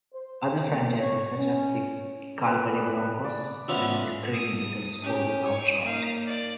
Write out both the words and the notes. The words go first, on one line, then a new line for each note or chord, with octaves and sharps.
Other franchises, such as the Calgary Broncos and the Screaming Eagles, folded outright.
C5
A#3
C#5
C#4
B4 G#5
D5 D#6
D5
C3 B3 C#4 F4 E6
D#6
C#4 G4
C#5
A#3 D#4 F5
D5